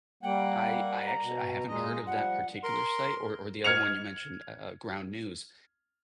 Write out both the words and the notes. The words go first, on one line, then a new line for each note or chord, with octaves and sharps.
I I actually I haven't heard of that particular site or or the other one you mentioned, u uh, Ground News,
G3 A#3 F#5 G5
A#5
B2
A#2 G#3 D#5
F3 G3 F#5
A#4 C6
F6 G#6 C#7 F7